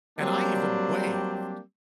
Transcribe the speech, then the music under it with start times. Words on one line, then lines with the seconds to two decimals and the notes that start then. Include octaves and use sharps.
and I even waved,
0.19 F#3 G3 A#3 C4 D4 G4